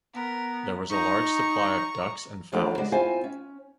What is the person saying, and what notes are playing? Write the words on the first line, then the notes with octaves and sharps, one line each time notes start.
There was a large supply of ducks and fowls.
B3 A#4
D#4 A#5 C#6
D#2 F3 A3 B3 D4 A#5
C#3 G#3 D4 F#4
C4 E4 F4 C5 F5 G#5
C#4